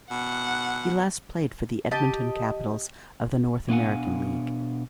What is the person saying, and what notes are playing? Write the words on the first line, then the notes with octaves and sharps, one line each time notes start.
He last played for the Edmonton Capitals of the North American League.
B2 F#5
G4 D#5 A5
B2 B3 D4 F5 F#5 G#5